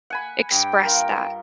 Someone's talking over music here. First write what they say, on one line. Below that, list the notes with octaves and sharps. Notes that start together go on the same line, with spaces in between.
express that?
F#5 G#5 B5
G2 G5
F4 A#4